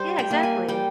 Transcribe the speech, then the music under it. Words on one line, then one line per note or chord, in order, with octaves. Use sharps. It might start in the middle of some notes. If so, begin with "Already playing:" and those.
Yeah, exactly.
Already playing: G3 C5
G5
A#3
G#5
G3 G5